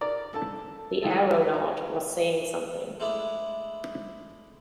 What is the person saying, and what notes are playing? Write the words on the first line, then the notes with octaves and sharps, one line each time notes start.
The aeronaut was saying something.
A#4 D5 A#5
A4 A5
E3 G#3 A4
A#5
G#3 A3 D4 E4